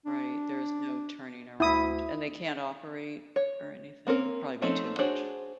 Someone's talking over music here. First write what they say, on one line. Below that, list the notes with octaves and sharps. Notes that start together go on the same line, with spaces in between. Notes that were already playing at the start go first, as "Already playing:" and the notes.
Right, there's no turning around, and they can't operate, or anything? It'd probably be too much.
D4
D2 E4 D#6
C#5
A#3 C4 C#4 A#4
F3 A3 C4 C#4 D#4
D4 F#4 G#4 C5 C#5